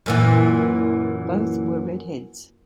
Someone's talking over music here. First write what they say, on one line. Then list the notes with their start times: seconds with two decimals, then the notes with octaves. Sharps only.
Both were red heads.
0.06 F#2 A#2 E3